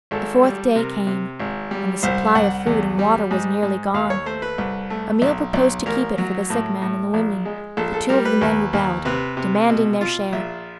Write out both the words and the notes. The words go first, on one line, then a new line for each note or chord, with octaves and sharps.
The fourth day came and the supply of food and water was nearly gone. Emil proposed to keep it for the sick man and the women, but two of the men rebelled, demanding their share.
G#1 A4
G3
C3 A#4
C3
G#1
G3
C2 C5
C2 F#5
E2
G3
G#2
G#2
D#2 F5
C#5
A3 C5
B4
C2
A3
B1
B1
A1 A#4
F#3
A2
A2
A#1
G#3
A#1 A4
A4
G3 A#4
B4
D#2
D#2
C3 B4
C3
B2
F4
A#1 E5